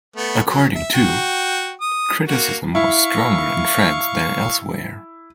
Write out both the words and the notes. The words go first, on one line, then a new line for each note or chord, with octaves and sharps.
According to ', criticism was stronger in France than elsewhere.
A3 B3
F#3
E5
F#4 G5
D#6
A#3 F#4
E4 F5 C#6